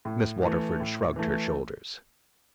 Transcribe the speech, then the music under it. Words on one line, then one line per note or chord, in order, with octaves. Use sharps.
Miss Waterford shrugged her shoulders.
A2
E3 A3
A2
E3 A3